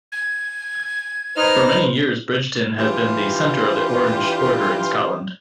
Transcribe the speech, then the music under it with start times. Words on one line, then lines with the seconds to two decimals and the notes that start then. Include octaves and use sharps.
For many years Bridgeton has been the centre of the Orange Order in Scotland.
0.12 G#6
1.36 D#4 B4 C5 F6
2.79 E3 D4 F4 G4